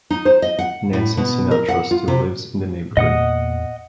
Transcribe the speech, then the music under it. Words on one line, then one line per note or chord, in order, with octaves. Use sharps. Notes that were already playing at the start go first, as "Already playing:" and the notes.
Nancy Sinatra still lives in the neighborhood.
D#4
C5
D#5
F#5
A2
B2
A#4
F#5
F4
C3
E2 A#2 D#5 F#5 D#6